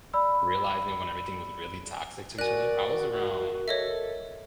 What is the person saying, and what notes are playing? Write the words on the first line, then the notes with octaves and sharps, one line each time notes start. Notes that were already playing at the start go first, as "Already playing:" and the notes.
Realizing when everything was really toxic to each other? I was around
D5 B5 E6
F#4 A#4 D5 G#5 F#6
A4 C#5 D#5 E5